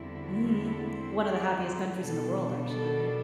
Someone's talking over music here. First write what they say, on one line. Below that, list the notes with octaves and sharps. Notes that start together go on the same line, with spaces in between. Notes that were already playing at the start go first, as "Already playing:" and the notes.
Mhm, one of the happiest countries in the world, actually.
Already playing: E2 D3 G3 C4 E4
F#4
A4
C5
D5
C5
B2 G3 D4 A4
A4